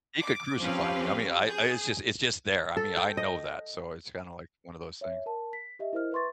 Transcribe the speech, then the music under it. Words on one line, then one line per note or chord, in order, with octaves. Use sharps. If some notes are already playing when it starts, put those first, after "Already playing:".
He could crucify me, I mean, I I it's just it's just there, I mean, I know that, so it's kinda like one of those things,
D6
F3 C4 C#4 G4 B4 F5
G#4 G6
A4
G5
D#5
C#5 E5
A#4 A5
B6
G4 D#5 E5
E4 A#4 C5 D#5 F6
B4 E5 C6 C#6 A6